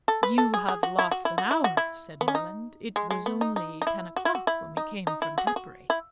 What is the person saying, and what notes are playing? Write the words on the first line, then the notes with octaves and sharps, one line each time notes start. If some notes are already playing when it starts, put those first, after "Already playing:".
"You have lost an hour," said Morland: "it was only ten o'clock when we came from Tetbury."
A4
B4
A4
G#4
G#4
F#4
E4
F#4
E4
F#4
E4
F#4
E4
B3
C#4
D#4
G#3
G#3
B3
D#4
D#4
D#4
E4
F#4
E4
F#4
E4
D#4
D#4
E4
F#4
G#4
F#4
E4